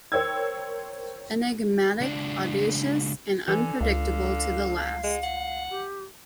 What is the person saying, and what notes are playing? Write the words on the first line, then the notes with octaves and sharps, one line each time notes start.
Enigmatic, audacious and unpredictable to the last.
A#4 C5 C#5 G5 E6 G#6
C#2 D4
D3 E3 G#5
C#2 F5
G#3
F#5
G4